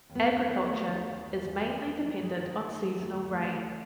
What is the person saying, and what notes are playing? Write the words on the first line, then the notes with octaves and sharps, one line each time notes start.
Agriculture is mainly dependent on seasonal rain.
D#2
B3
D#2
B3
D#2
D#3 A3
D#2
D#2
D#2
E2
D#3
E2
F#3
F#3 G#3
D#3
E2
F#3
D#2 A3
G#3
D#2
A3
C#3
D#2